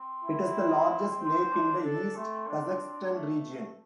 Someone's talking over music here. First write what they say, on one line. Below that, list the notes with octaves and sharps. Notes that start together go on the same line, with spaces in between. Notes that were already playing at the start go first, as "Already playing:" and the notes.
It is the largest lake in the East Kazakhstan Region.
Already playing: C4
E4
C4
C5
D4
A4
A3 C4
D4
A3